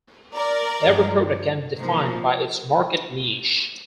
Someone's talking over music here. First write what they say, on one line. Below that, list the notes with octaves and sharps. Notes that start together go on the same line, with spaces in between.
Every product can be defined by its market niche.
A#4 D5
G2 F3 G#3
C3 F3 A#3 D#4